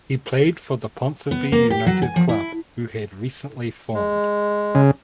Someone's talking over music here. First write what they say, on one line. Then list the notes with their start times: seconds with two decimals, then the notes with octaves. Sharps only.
He played for the Ponsonby United club who had recently formed.
1.31 B3
1.52 A#3
1.70 G4
1.86 F#3
2.02 G#5
2.16 F3
2.29 E4
3.95 G#3
4.75 C#3